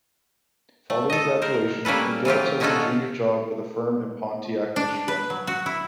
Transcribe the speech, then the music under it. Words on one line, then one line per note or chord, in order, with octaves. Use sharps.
Following graduation, MacGill took a junior job with a firm in Pontiac, Michigan.
A3
A4 D#5
A#4 C5
G3 A#3 C#4 A4 B4
E3 F#3 F4 G4
D3 C#4 D#4 F4 F#4 A4
D4
B4
F#3
F#4
E4